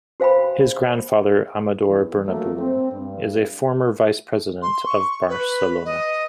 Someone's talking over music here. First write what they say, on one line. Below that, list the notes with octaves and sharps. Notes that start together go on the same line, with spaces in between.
His grandfather, Amador Bernabeu, is a former vice-president of Barcelona.
F#4 C5 F5 G5 B5
E2
D3 F#3 A3 A#3
C4
G2
C6
C#6
B4
D#5